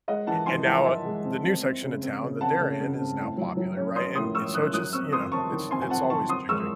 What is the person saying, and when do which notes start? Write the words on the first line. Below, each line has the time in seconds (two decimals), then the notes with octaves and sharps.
And now, uh, th the new section of town that they're in is now popular, right? And and so it's just you know, it's it's always changing.
0.08 G#3 D#5 F#5
0.27 E3 F#5 A5
0.46 E3 G#5 C6
0.66 E3 F#5 A5
0.85 E3 E5 G#5
1.05 G#3
1.25 C4
1.44 C4
1.63 C4
1.83 C#3
2.03 C4
2.22 C#3
2.41 C4 F#5 A5
2.61 C#3
2.80 C#3
3.00 C4
3.19 A2
3.37 F#3
3.57 F#3
3.77 C#4
3.96 C#4 C6 D#6
4.15 A2 C6 D#6
4.35 A2 C#6 E6
4.54 C#4 D#6 F#6
4.73 F#3 D#6 F#6
4.93 C4 C#6 E6
5.12 C4 C6 D#6
5.32 C4 A5 C#6
5.52 D#3
5.71 C4 G#5 C6
5.81 G#5
5.90 C4 F#5 A5
6.10 D#3 A5 C#6
6.29 C4 C6 D#6
6.49 G#3 C#6 E6